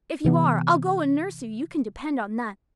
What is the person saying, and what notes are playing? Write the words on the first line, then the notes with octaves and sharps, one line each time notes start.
If you are I'll go and nurse you, you can depend on that.
C3 E3 B3